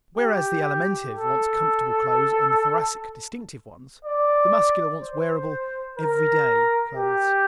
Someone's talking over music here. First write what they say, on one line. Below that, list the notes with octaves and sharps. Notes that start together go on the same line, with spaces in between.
Whereas the Alimentive wants comfortable clothes and the Thoracic distinctive ones the Muscular wants wearable, "everyday" clothes.
G4
A4
D5
C5
A#4
G4